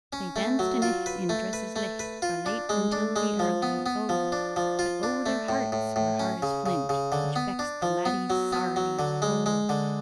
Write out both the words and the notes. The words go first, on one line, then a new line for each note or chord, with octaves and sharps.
They danced a' nicht in dresses licht Fra' late until the early, O! But O, their hearts were hard as flint, Which vexed the laddies sairly, O!
C#4
A3
F#3
F4
B4
A3
B4
A3
B4
F4
D4
G#3
D4
G#3
F3
B3
B3
F3
D4
F3
F4
D4
A3
A2
A2
A2
C#4
C#3
C#3
C#3
D3
B3
D4
F3
B3
F#3
B3
F#3
D3
G#3
G#3
D3